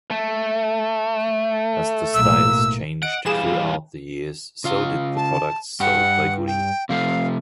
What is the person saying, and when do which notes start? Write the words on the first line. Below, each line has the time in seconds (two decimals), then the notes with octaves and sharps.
As the styles changed throughout the years, so did the products sold by Goody.
0.11 A3
2.14 B1 A2 A#3 E6
3.03 D#5 F#5 D7
3.26 E3 G3 G#4 F5 E7
4.64 C#3 F4 F5
5.16 A5
5.80 G2 G4 F#5
6.47 G5
6.89 C3 F3 A3 F5